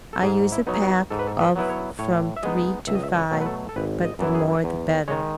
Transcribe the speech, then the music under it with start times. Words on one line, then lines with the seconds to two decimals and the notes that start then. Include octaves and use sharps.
I use a pack of from three to five, but the more the better.
0.13 A4
0.22 G#2 G#4
0.52 E4
0.67 F#3 B3 D#4
0.75 G#4
0.82 F#4
1.10 G#2 A4
1.19 B4
1.27 A4
1.40 B4
1.56 F#3 B3 E4 B4
1.69 C#5
1.99 A2 C#5
2.37 E5
2.43 G#3 B3 D#4 D#5
2.87 C#2 E5
2.95 D#5
3.03 E5
3.16 C#5
3.31 B2 F#3 A3
3.41 B4
3.46 A4
3.69 A4
3.76 G#1 B4
4.05 D#5
4.19 F#2 E3 B3 E4
4.35 G#4
4.64 E2
5.08 D#3 G#3 C#5